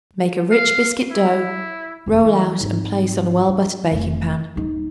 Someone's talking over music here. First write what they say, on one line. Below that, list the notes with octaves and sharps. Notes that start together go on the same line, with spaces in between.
Make a rich biscuit dough, roll out and place on a well-buttered baking-pan.
F5
E4
E1 F2
E3
G#2 C4
D4
F1 A3
D#1 D#4